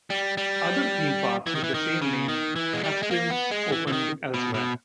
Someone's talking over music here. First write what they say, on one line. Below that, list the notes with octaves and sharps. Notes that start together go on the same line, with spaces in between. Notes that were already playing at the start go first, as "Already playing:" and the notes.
Other theme parks with the same name have since opened elsewhere.
G3
G3
E3
D#3
E3
D#3
C#3
D#3
E3
G#3
G3
G#3
A#3
B3
G#3
E3
E3
D#3
B2
B2